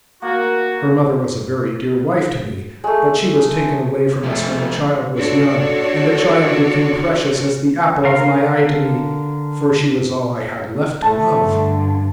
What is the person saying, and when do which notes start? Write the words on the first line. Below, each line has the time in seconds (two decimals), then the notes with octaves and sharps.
Her mother was a very dear wife to me, but she was taken away from us when the child was young, and the child became precious as the apple of my eye to me, for she was all I had left to love.
0.22 A#3 F#4
2.84 G#3 A3
4.23 F3 A3
5.18 D4 F4 F#4 A4 C#5 D5
8.04 D3 A#4 F5
11.03 A3 A5
11.39 G2 D3